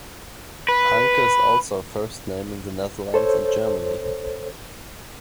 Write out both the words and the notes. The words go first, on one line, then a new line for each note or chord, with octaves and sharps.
Hanke is also a first name in the Netherlands and Germany.
B4
A4 C5 C#5